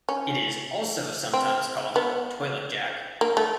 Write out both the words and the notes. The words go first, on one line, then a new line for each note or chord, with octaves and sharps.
It is also sometimes called a toilet jack.
C#4
C4
B3
A#3
A3